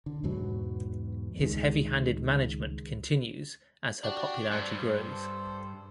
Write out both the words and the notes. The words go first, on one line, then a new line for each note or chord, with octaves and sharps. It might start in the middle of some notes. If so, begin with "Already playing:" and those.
His heavy-handed management continues as her popularity grows.
D3
E2 G#2 B2 F#3
C#2 D#3 G#3
D4 F#4 G4
G2 A4 C5